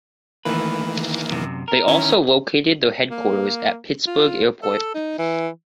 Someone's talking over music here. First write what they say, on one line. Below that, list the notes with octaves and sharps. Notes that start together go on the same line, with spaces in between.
They also located their headquarters at Pittsburgh Airport.
D#3 E3 A3 A#3 B4
F#2 C3
A#4
D#3 C#4 E4
A#3
F4
A4
D#4
E3